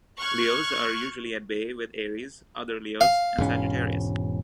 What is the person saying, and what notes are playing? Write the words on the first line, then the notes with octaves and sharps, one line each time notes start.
Leos are usually at bay with Aries, Other Leos and Sagittarius.
C#6 F6 F#6 G#6
F5
E1 G#2 C#4